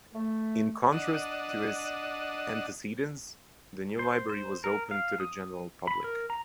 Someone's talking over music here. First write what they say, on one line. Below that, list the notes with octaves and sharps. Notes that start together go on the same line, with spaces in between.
In contrast to its antecedents, the new library was open to the general public.
A3
D4 D#5 F#5
C5
C5
A#4
F5
D#6
B5
A#4
A#5